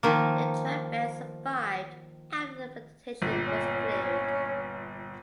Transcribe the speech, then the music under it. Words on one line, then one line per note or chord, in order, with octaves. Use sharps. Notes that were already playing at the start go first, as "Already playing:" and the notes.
The trackbed survived after the vegetation was cleared.
D#3 F3 A#3
G1 A#2
C#4